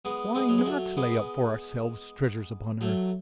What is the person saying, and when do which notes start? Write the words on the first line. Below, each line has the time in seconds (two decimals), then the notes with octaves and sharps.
"Why not lay up for ourselves treasures upon earth?"
0.05 G#3 B3
0.34 G#3 B3
0.49 F#3
0.58 G#3
0.65 F#3 A3
0.97 G#3 B3
2.81 F#3 A3